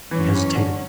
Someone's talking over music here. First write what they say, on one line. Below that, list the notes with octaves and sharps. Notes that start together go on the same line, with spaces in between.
He hesitated.
G#2 E3 F#3 C#4
E3
D3